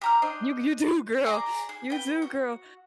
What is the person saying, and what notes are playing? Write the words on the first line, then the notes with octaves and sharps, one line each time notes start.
You d you do, girl. You do, girl.
G4 A#5 F6
D4 C5 D#5
G#4 D5 A#5
G#4
B4 G5
F#4